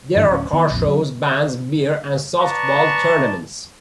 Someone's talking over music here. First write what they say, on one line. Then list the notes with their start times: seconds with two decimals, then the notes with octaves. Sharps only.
There are car shows, bands, beer, and softball tournaments.
0.16 G2 D#3 E3 D4
0.29 D1 G2 C#4
0.53 D#3 E3 B3
0.70 A#1 F2
0.87 F#3 C#4
2.39 B4 D5 A5 A#5 C#6